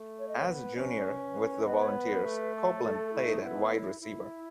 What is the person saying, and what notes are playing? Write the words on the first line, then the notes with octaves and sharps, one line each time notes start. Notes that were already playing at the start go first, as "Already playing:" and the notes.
As a junior with the Volunteers, Copeland played at wide receiver.
Already playing: A3
C#5
D#5
C#5
B3 B4
C#4
B4
B3 D#5
C#5
B4
A3
A4
A3
E4
D#4
B3 E4
E4